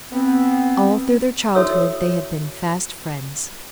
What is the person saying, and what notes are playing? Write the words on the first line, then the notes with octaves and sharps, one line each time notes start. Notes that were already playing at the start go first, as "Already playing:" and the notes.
All through their childhood they had been fast friends.
B3 C4
E4 F#4 A4 C#5 E5 E6